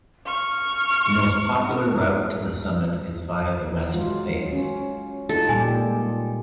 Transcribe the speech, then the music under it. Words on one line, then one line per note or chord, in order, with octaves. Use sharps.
The most popular route to the summit is via the west face.
C#6 F6
F#3 G#3 F4
C#4
D#4 F4 A4
A#2 G3 G4 G#5
G#3